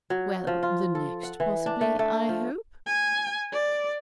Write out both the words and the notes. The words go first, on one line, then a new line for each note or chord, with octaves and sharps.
'Well, the next possibly, I hope?'
F#3
F3
F4
A4
F#5
E3
D4
A3
A3
F3
G#5
D5